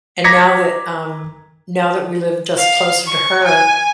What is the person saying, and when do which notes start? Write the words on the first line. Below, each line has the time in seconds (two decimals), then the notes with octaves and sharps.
and now that, um, now that we live just closer to her,
0.24 A#5 D6 G#6 A#6 B6 C#7
2.57 F5
3.07 C#6
3.44 G#5